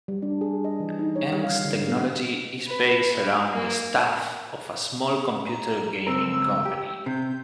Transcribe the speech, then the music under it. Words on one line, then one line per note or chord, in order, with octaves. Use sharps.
Angst Technology is based around the staff of a small computer gaming company.
G3
D4
G#4
D#5
E3
D#4
C#5
G3
F5
D3
B3
B4
A#3
A#5
C#2 C4 A#4 E6
G4
C3 G6